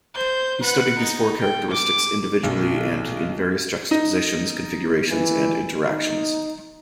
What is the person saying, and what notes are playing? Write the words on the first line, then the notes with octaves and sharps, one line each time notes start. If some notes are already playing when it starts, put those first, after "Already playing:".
He studied these four characteristics individually and in various juxtapositions, configurations, and interactions.
C5 G6
B4 F#5
D#4
G5
D6
B1
D#4
E3
D#4